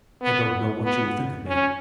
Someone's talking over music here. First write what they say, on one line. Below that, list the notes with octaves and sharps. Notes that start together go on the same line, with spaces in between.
I don't know what you will think of me.
B3
B3
C#4